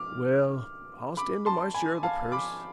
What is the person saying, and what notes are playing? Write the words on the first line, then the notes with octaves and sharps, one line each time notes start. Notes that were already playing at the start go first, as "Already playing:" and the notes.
"Well, I'll stan' to my share of the purse."
Already playing: D6 F6
B5 D6
A5 C6
G#5 B5
F5 A5
B5 D6